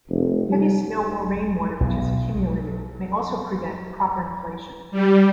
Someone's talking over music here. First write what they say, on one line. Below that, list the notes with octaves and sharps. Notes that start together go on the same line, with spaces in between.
Heavy snow or rainwater which has accumulated may also prevent proper inflation.
F1
G3
B1
G3